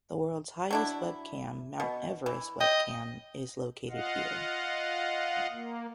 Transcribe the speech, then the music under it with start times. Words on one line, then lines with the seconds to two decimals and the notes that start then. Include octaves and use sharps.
The world's highest webcam, Mount Everest webcam, is located here.
0.71 F#3 D4 E4
1.80 B2
2.26 E3
2.60 D#5 G5
3.90 F4 D#5 F5 F#5
5.51 A#3